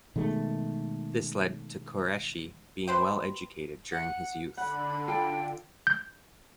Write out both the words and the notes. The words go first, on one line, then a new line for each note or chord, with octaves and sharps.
This led to Qureshi being well educated during his youth.
B2 D#3 G#3 A3
B4 C5 G5
F#5
D3 F#5 B5
F4 A4 G5
G6